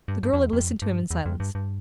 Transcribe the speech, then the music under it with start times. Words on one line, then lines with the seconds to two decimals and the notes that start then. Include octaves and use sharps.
The girl had listened to him in silence.
0.08 G2
0.23 G2
0.33 F2
0.42 E2
0.53 F2
0.82 G2
1.11 E2
1.26 F2
1.40 G2
1.55 G2